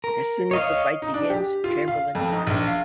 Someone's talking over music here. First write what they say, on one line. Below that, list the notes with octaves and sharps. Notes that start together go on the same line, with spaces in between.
As soon as the fight begins, Chamberlain dies.
A#4
C#5 D#5 F5
D#4
D4
G4
F4
F5
F2
D#4
A#1
F5